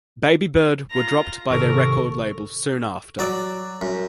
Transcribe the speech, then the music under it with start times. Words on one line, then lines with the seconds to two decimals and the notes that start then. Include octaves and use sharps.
Babybird were dropped by their record label soon after.
0.91 F4 A#5
1.50 G#1 C3 A4 A#4 C#6
3.19 F#3 D5
3.81 F#2